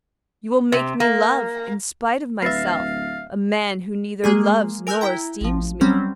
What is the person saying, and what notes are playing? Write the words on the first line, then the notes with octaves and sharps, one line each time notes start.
You will make me love, in spite of myself, a man who neither loves nor esteems me.
C3
A#3
D1 B4 E5 F5 A6 A#6 C7
G#3 A#3 G#4
A#4 G#5 E6 F#6 G6
E4 G5 A#5
A1 F3
F#3 G3 C4 C#4